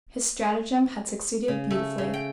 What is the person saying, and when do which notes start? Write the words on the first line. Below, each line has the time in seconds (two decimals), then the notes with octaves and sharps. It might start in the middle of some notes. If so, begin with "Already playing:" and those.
His stratagem had succeeded beautifully.
1.48 C#3
1.71 A3
1.98 C#3
2.14 G5